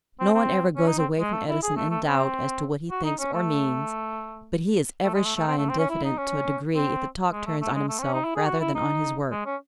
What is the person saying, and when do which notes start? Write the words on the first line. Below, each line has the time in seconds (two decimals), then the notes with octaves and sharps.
No one ever goes away from Edison in doubt as to what he thinks or means, but he is ever shy and diffident to a degree if the talk turns on himself rather than on his work.
0.20 C4
0.34 C4
0.76 C#4
0.87 D#4
0.98 C4
1.20 G#3
1.33 A3
1.48 E4
1.63 G#4
1.77 A3
1.90 A3
2.05 C4
2.90 F#4
3.04 D#4
3.19 C#4
3.33 A3
5.04 A3
5.14 G#3
5.25 A3
5.36 A3
5.47 C4
5.58 A3
5.69 C4
5.78 C#4
5.90 E4
6.04 D#4
6.18 C#4
6.76 C4
7.32 G#3
7.46 A3
7.61 A3
7.74 G#3
7.89 A3
7.99 C4
8.03 C#4
8.13 D#4
8.24 E4
8.36 G#4
8.46 F#4
8.60 E4
8.75 D#4
9.31 G#3
9.46 C#4